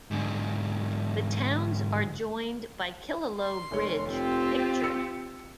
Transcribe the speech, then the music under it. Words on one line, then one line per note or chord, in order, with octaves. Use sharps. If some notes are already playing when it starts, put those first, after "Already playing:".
The towns are joined by Killaloe Bridge, pictured.
G#2 D3
C6
F1 C#5
C4 F4 G4
E6 C#7